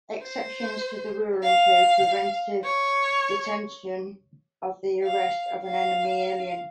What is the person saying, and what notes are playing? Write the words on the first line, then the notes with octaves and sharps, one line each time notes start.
Exceptions to this rule include preventive detention and the arrest of an enemy alien.
C5
F5
C#5
F5
F5